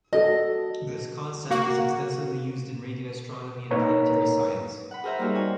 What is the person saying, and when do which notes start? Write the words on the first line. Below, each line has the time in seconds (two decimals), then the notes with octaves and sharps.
This concept is extensively used in radio astronomy and planetary science.
0.13 F#4 A4 D#5
1.50 A#3 F#4
3.71 A#3 D#4 A#4 B4 C#5 A#5
4.91 F#5 B5
5.04 G#4 A#4 C5 E5 A#5
5.19 G3 A#3 D#4 F4 F#4
5.35 C#5 G#5